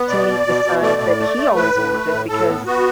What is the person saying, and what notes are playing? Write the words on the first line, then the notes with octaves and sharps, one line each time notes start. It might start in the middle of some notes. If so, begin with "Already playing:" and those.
to meet the son that he always wanted, because,
Already playing: B3
B2 D5
B2
B2
B2
A3 D5
A2
A3
A3
A2 B4
A2
A3
A2
A2 A4
B3
B3 F#4